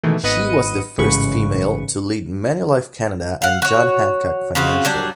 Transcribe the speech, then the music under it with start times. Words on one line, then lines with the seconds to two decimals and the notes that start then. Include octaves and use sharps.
She was the first female to lead Manulife Canada and John Hancock Financial.
0.03 B2 D#3 E3 G#3 A3
0.23 G#1 B3 B4 D#5 C#7 D#7
0.98 A1 G#2 C#3 B4 C#6
3.42 F5 F#5
3.62 F#4 C#5
4.55 C#3 C4 F4 F#4
4.85 F#3 G3 D4